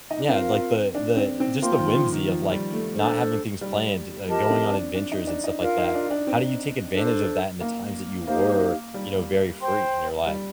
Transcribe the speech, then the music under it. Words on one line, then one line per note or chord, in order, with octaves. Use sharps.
yeah, like, the the just the whimsy of, like, not having things planned, uh, going on adventures, and stuff like that. How do you take advantage of that in the times that you were, you know, very free in your life?
D#4
D4
C4 F4 A#4 F5
D4
C4
C4
A#3 F4 C5 G5 C6
D#3
F3
D#3
F3
G3
A3
D4 A4 C5
G3
F3 G4 A#4 D#5 A5
C4
D4
D4
D#4
D4
D#4
D4 F4 A#4 F5
D#4
D4
D4
C4
D4 A4 C5
A#3
A#3 D#4 G4 C5 F5
G3
C5 G5 C6
G3